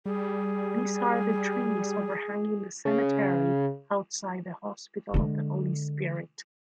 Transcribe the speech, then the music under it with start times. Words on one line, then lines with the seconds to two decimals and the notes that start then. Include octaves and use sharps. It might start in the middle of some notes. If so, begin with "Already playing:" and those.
These are the trees overhanging the cemetery outside the Hospital of the Holy Spirit.
0.06 G3 G#4
2.85 C#3
5.14 D3 G#3